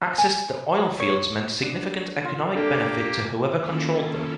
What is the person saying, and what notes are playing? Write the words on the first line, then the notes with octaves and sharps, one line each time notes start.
Access to the oil fields meant significant economic benefit to whoever controlled them.
G#5
C#5
D4
F4
A#3 D4 G4 A4
D#3 A#3 C#4 E4 F4 A4